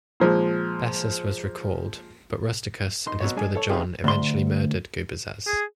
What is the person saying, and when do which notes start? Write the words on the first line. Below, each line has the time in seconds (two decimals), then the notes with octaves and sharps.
Bessas was recalled, but Rusticus and his brother John eventually murdered Gubazes.
0.20 A#2 F3 G#3
3.06 D#4 C6
3.20 B2 F#3 C#5
3.36 G#3 D4 G#5
3.55 A4 C#5
3.69 C3 B3 D#4 F4 G4 G#4
4.04 D2 C6
5.47 G#4